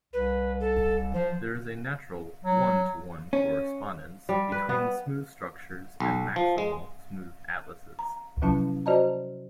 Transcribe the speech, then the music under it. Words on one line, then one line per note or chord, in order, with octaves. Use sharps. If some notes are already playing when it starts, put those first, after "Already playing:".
There is a natural one-to-one correspondence between smooth structures and maximal smooth atlases.
C2 B4
A4
F3 C5
F#3
C#4
G3
B4
B3
B1
F3
G#3
A#5
C3 F3 F#3 C#4 E4 A5
F#4 C5 D5 D#5 A5 A#5